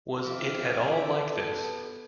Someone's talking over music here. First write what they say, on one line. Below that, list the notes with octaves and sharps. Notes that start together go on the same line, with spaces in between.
Was it at all like this?
F2 C5 E5 F5 D6
B2 B3 G4 A4